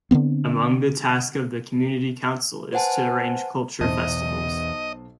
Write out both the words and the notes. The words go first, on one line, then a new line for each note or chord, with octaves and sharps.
Among the task of the community council is to arrange culture festivals.
D3 F#3 B3 C4
B4 C5 F#5 G#5 A5
B1 E2 C5 D#5 A5